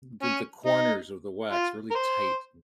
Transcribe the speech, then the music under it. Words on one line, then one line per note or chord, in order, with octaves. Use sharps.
did the corners of the wax really tight,
C#4
D#4
F4
A#4
C5